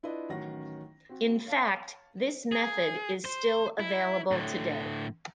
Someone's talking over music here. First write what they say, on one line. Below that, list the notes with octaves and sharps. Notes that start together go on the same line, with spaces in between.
In fact, this method is still available today.
D4 E4 F4 B4 D5 D#5
A1 D#3 F#3 C#4 F#5 A#6
C4 F#4
C#5 F5 A5
G#4
C5
E4
A2 D3